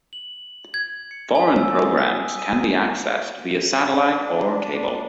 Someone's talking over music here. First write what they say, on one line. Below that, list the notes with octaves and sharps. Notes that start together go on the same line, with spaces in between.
Foreign programs can be accessed via satellite or cable.
F#7
G#6
C#7
G#5
E6
D#6
B6
D#7
D4